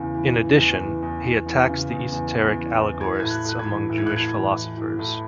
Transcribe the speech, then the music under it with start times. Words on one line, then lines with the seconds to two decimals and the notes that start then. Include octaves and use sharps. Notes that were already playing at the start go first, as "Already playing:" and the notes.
In addition, he attacks the esoteric allegorists among Jewish philosophers.
Already playing: E2 C#3 E3
0.14 E3
0.36 E3
0.58 E2
0.80 E3
1.02 E2
1.24 E2
1.46 E2
1.69 C#3
1.91 E2
2.12 E2
2.35 E2
2.56 E3
2.79 E2
3.01 E3 G#6
3.20 A2 G#6
3.31 F#6
3.45 A2 F#6
3.59 G#6
3.67 E3
3.90 A2
3.98 G#6
4.07 F#6
4.11 A2 G#6
4.34 E3
4.55 E3
4.77 E3
4.99 A2